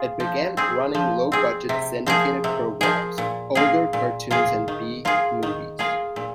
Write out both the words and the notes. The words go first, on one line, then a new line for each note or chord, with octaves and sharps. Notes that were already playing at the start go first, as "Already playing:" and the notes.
It began running low-budget syndicated programs, older cartoons, and B-movies.
Already playing: F4 G#4
F3
C4 G#4
F3
C4 G#4
C3
F3 A#3 G#4
C3
F3 A#3 G#4
A#2
A#3 F4 G#4
A#2
A#3 F4 G#4
D#3
A#3 F4 G#4
D#3
A#3 F4 G#4
A#2